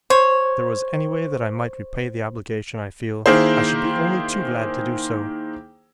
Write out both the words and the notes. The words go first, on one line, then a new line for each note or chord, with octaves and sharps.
If there was any way that I might repay the obligation I feel, I should be only too glad to do so.
C5 C#5
D#3 A#3 E4 G#4 C5